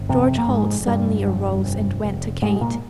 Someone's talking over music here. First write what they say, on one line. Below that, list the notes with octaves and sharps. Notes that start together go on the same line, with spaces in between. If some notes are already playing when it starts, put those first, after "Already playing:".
George Holt suddenly arose and went to Kate.
Already playing: G1
F2 C3 C4
A#3
F1 G#2 G#3
F1 G2 G3
F1
F1
F1
F1 G#2 G#3
G#3
A#2 A#3